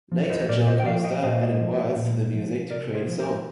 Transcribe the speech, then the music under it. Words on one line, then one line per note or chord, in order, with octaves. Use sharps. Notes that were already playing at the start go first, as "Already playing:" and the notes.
Later Joan Costa added words to the music to create a song.
F3
C5 D#5
A#2 A#4 D5
C5 D#5
G5
F3 D5 F5
D#5 G5
A#2 C5 D#5
F3
A#2
F3
C3 A#4 D5
G#4 C5
F3
G4 A#4